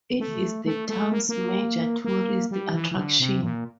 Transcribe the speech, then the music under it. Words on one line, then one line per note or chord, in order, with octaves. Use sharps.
It is the town's major tourist attraction.
A3
A3
A3
A#3
A#3
A#3
G3
E3
E3
D3
C3
A#2